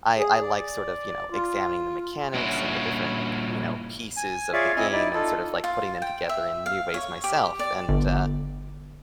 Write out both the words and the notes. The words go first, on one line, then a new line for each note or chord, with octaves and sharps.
I I like sort of, you know, examining the mechanics and the different, you know, pieces of the game and sort of like putting them together in new ways myself, and, uh,
G#4
D5
F4
G2 A#2 C#4 E4 F#4
G#5
F4 G#4 C#5 D5 E5 F5
C4 E4 D#5 G#5
D#4 E4 D5
D#4 F4 A4
F4
G5
E5
F5
C#5
G4
D5
G1